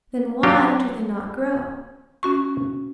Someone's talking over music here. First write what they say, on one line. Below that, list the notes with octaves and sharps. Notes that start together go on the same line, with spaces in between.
Then why do they not grow?
F#3 F4 G4
C#4 F#4 C#6